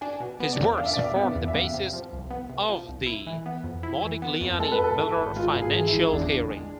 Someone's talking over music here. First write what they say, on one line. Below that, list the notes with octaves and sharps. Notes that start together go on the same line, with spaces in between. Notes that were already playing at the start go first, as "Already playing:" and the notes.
His works formed the basis of the "Modigliani-Miller Financial Theory".
D4 G#5
B2
B3
D5
E2
D4 F5
E5
D5
B2 E5
B3
E2
E5
B3 F5
C3
F3
C2
B3
C3
F3
C2
E4
E3
B3
F2
E4
E3
B3
F2
G#3 A4
B4
G#2 A4
E3
G#1
G#3 F4
G#2
G#4
E3
E4
G#1
E2 D4
D3
G#3